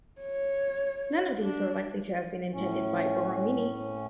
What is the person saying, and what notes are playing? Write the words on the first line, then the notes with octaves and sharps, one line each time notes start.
None of these are likely to have been intended by Borromini.
C#5
D4
A2 C#4